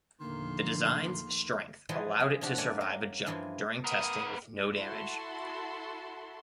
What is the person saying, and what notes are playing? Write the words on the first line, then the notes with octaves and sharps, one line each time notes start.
The design's strength allowed it to survive a jump during testing with no damage.
E2 A#2 D3 D#3 F3 A3 A#3 C6
E3 F3 G3 G#3 G#4
G#4
C3 F3 D4 F#4 G4
A3 A#3 C#4 D5 F#5 G#5
A#4
G2 E3 F3 G#3
B3 A#4 D#6
E4 F#4 A4 A5 C6